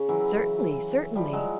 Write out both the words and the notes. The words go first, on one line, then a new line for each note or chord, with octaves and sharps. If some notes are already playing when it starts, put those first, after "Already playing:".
"Certainly, certainly."
Already playing: C#3
E3 F#3
F3 G3
F#3 G#3